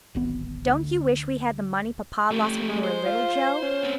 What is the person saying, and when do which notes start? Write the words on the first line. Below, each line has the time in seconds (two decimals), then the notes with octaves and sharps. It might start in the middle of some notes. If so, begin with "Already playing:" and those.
Don't you wish we had the money Papa lost when we were little, Jo?
0.15 D1 G#1 B3
0.65 D2
2.31 A3 G4
2.68 G#3
2.84 C5
3.06 F4
3.62 C#4
3.83 B3 C4